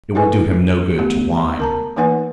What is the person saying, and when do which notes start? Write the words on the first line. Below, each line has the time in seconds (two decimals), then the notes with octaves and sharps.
It will do him no good to whine.'
0.15 D#4 E4 A4 B4 G#5
0.98 A3 B3 G4
1.60 A#4 A5 A#5
1.96 E3 A#3 D#4 B4 F#5 G#5